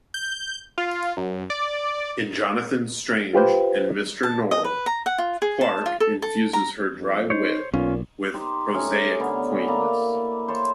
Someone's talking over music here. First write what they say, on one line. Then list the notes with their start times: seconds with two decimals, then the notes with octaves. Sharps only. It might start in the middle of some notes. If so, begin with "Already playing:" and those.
In "Jonathan Strange and Mr Norrell", Clarke infuses her dry wit with prosaic quaintness.
0.14 G6
0.78 F4
1.17 F#2
1.50 D5
3.33 F4 G4 B4 C5
4.23 A5
4.51 D#5
4.64 B4
4.86 A#5
5.06 F#5
5.18 F4
5.42 G#4
5.61 A5
5.86 F4
6.00 A4
6.22 A4
6.53 A#5
6.99 F2
7.30 D#4 C5 C#5
7.74 B1 A#2 C#4 F4
8.33 D#4 G4 C5
8.73 A3 C#4 D#4
9.19 D3 B3 C#4
9.68 A#3 E4 D5 A#5
10.48 C5 C#5 A5